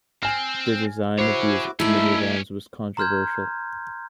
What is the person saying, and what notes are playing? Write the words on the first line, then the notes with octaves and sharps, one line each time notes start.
The design of these minivans was controversial.
C4 G#5 F6
E4 F#4 G#4 C5 C#5 D6
A3 C#4 D#4 E4 A4 D5 E5 B5
A#5 C6 F6 G6 G#6